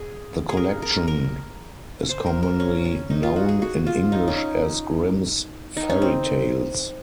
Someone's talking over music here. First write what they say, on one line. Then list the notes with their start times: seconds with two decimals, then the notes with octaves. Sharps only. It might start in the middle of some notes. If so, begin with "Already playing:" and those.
The collection is commonly known in English as Grimms' Fairy Tales.
Already playing: G#4
0.49 G#4
0.57 A#4
0.82 A#4
1.08 A#4
2.09 C5
2.26 A#4
2.43 A#4
2.60 C#4
2.85 C#4
3.10 D#4
3.23 F4
3.36 F#4
3.49 G#4
3.62 F#4
3.87 F4
4.12 D#4
4.28 C#4
4.37 D#4
5.77 D#4
5.90 C#4
6.02 C4